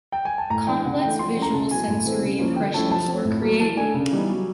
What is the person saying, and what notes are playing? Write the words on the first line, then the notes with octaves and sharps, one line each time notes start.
Complex visual sensory impressions were created.
G5
G#5
A5
A2 A#5
E3 G#3 B3 D4 G5
C#3 F#5
E3 A3 G5
F3 C6
A3 C#4 E4
A#5
C#3 A5
F#3 B3 E4 G#5
A2
E3 A3 C4
C#3
F3 A#3 C#4 E4
D3 G5
F3 A3 C#4 E4 A5
F3 A5
A3 C4
A2
F#3 A#3
E3 A5
A3 D4 G#5
C#3
E3 G3 B3 D#4
F#3